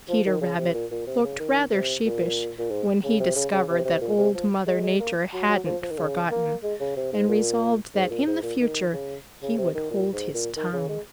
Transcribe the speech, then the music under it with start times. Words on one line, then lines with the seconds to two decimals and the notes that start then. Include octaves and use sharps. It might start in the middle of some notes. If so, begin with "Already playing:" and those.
Peter Rabbit looked rather sheepish when he discovered that Old Mother Nature hadn't for gotten, and resolved that in the future he would hold his tongue.
0.09 F3
0.26 D#3
0.41 C#3
0.58 C3
0.74 A#2
0.91 A#2
1.07 C3
1.24 C#3
1.40 D#3
1.72 C3
2.05 A#2
2.59 A#2
2.71 G#2
3.04 C#3
3.20 C3
3.36 C#3
3.52 C#3
3.69 C3
3.85 C3
4.01 A#2
4.18 C3
4.34 F3
4.67 G#3
4.83 G#3
5.00 A#3
5.33 F#3
5.49 F#3
5.66 F3
5.82 F3
5.90 D#3
5.98 C#3
6.31 A#3
6.63 G#3
6.80 C#3
6.96 C3
7.12 G#2
7.29 A#2
7.94 G#2
8.10 A#2
8.27 G#2
8.43 A#2
8.61 D#3
8.93 C#3
9.42 C#3
9.58 C3
9.75 D#3
9.91 A#2
10.13 G#2
10.34 A#2
10.56 D#3
10.73 C#3
10.89 G#3